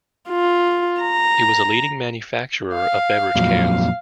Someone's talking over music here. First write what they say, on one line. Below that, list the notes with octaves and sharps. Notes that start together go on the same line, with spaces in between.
It was a leading manufacturer of beverage cans.
F4
A#5
F5
F2 A#2 F#3